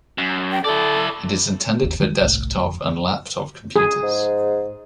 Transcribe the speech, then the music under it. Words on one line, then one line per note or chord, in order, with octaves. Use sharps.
It is intended for desktop and laptop computers.
F#2
G5
E4 A4 D5
G1 D#2
D#3 G3 G#3
G1 C2 A2
F2
G#4
G#2